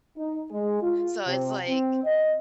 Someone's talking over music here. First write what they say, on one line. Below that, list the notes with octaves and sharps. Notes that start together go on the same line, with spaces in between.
So, it's, like
D#4
G#3
F4
C3
C4
D#5